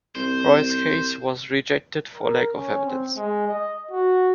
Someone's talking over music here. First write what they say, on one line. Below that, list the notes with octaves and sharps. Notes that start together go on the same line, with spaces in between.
Floris's case was rejected for lack of evidence.
C2 C5
A#4
C#4
C4
G#3
D#5
F#4